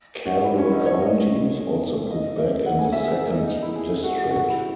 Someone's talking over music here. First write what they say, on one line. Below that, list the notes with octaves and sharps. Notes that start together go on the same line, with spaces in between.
Carroll County was also put back in the second district.
F#4
E4
C#4
E4
D#4
C#5
D#5
D#5
E5
F#5
G#5
E5
G#4
A#4
G#4
D#4
D#4
E4
G#4
F#4
G#4
F#4
E4